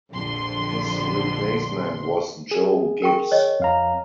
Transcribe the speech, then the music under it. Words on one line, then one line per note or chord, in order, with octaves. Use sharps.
His replacement was Joe Gibbs.
A#1 F2 D3 C6
G#4
A#4 G5 C#6
C#5 D#5
F2 F5 A#5